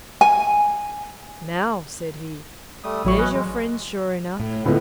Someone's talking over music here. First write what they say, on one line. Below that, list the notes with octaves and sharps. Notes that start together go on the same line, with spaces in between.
"Now," said he, "there's your friends, sure enough."
G#5
G3 A3 D#6
A1 F#3 E4 C#6
C#4 B4 D#5
G#3
A2
C#2 A2 D3 B3